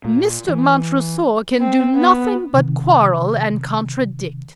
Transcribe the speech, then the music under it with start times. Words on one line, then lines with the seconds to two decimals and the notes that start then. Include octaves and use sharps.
"Mr. Montresor can do nothing but quarrel and contradict."
0.05 A#2
0.48 E3
1.60 C4
1.96 B3
2.54 C3 D#3